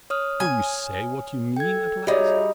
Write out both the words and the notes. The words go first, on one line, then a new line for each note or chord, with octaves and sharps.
"Will you say what you mean at last?"
C#5 D#6 F6
G#5
A4 G5 G#6
G3 D#4 F#4 G#4 C#5 E5